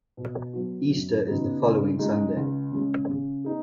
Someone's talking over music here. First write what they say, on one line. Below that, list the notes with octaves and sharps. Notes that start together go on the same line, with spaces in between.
Easter is the following Sunday.
B2
F#3 B3 F#4
F#2
C#3 B3 D#4 F#4
C#2
C#3 G#3 D#4
C#2
C#3 G#3 C#4
C#3
B3 D#4 G#4